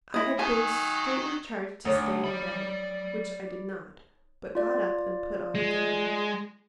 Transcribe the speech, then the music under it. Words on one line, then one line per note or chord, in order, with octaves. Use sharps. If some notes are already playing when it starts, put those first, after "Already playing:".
I had been straitly charged to stay in bed, which I did not, but got up and put on a gown.
E4 D#5
D#3 F#3 G#5
D2 D#4 C#5
D5 B5
F4 D5
G#3